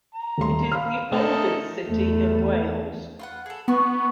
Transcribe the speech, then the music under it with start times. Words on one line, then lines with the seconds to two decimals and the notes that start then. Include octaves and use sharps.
It is the oldest city in Wales.
0.15 A#5
0.38 D#1 A3 C6
0.72 F5 B5 F6
1.12 A3 D#4 A4 A#4
1.87 E2 A3
3.19 F4 B4 F#5
3.46 G#4 A4
3.68 B3 F#4 C#6